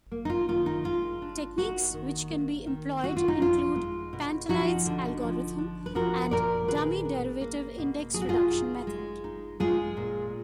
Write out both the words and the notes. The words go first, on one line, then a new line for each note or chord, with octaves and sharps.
Techniques which can be employed include "Pantelides algorithm" and "dummy derivative index reduction method".
A#3
D#4
F4
D#3 F4
D#4
G#3 F4
D4
A#3 D#4 F#4
D#3
A#3
D#3
D3 F#4
F4
D#4
F2 F4
G#3
B2
F3 D#4 F#4
D3
F3
D4
B4
F3 F#4 A#4
A#2 A#4 D5
D#3 G#4 B4
D4
A#3
B2
F#3 G#4
F#4
F4 G#4
D#4
G#3
D#4
G#3 F4 G#4
A#2